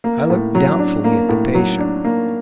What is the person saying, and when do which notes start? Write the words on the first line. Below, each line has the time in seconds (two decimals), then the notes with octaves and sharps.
I looked doubtfully at the patient.
0.04 A#3
0.30 A2
0.55 F#3
0.79 D4
1.04 A#3
1.29 A2
1.54 F#3
1.79 D4
2.05 A#3